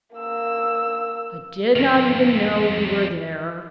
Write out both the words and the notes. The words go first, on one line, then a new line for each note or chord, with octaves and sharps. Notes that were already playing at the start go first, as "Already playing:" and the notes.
"I did not even know you were there."
A#3 E6
F2 D#3